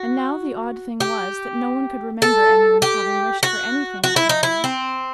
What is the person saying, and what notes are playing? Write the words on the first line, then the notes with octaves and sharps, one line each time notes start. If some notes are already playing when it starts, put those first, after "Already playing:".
And now the odd thing was that no one could remember anyone's having wished for anything that morning.
Already playing: F#4
G4
A4
G4
F#4
F#4
E4
D#4
E4
C4